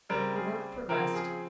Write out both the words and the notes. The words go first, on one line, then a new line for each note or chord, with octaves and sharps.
The work progressed.
C#3 G3 C4 A#4
G#4
C#3 F3 C4 A#4
G#4